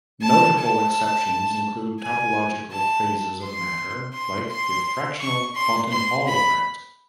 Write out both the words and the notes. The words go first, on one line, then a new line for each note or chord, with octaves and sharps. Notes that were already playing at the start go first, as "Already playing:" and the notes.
Notable exceptions include topological phases of matter like the fractional quantum Hall effect.
A5
A5
G#5
A5
C6
C6
C6
C#6
C6
C6
B5